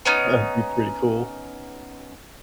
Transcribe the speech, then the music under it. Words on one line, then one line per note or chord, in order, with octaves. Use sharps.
That'd be pretty cool.
B3 C#4 D#4